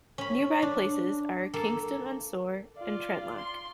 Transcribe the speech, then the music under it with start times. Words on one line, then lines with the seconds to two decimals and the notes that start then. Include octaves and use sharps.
Nearby places are Kingston on Soar and Trentlock.
0.18 C#4 B5
0.62 D4
1.54 A#3 A4
2.77 F4 D5
3.37 C6